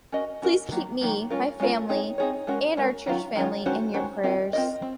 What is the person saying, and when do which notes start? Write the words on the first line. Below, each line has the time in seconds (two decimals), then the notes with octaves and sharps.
Please keep me, my family and our church family in your prayers.
0.12 C#4 F#4 A#4 D#5
0.42 C#4 F#4 A#4 D#5
0.71 D#3 F#3 A#3
1.01 D#3 F#3 A#3
1.30 G#3 C#4 F4 A#4
1.60 G#3 C#4 F4 A#4
1.89 C4 D#4 G#4 C#5
2.18 C4 D#4 G#4 C#5
2.47 G#3 C#4 F#4 A#4
2.77 G#3 C#4 F#4 A#4
3.06 D#3 F#3 C#4 F4
3.36 D#3 F#3 C#4 F4
3.65 D#3 G#3 C#4 F#4 C5
3.94 D#3 G#3 C#4 F#4 C5
4.23 C4 F4 A#4 D#5
4.53 C4 F4 A#4 D#5
4.82 C4